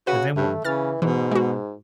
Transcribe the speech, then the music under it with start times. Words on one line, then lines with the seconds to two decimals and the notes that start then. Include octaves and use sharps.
but then wha
0.07 C#3 F#4 B4
0.36 G2 A3
0.65 C#3 E3 F6 A6
1.02 G#2 B2 E3
1.31 G#3 F#4